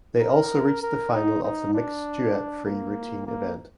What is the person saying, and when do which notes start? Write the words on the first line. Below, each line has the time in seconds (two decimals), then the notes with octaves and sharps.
They also reached the final of the mixed duet free routine event.
0.21 A#4
0.82 A#4
1.13 D#4
1.43 D#4
1.74 D4
2.65 A#3
3.26 A#3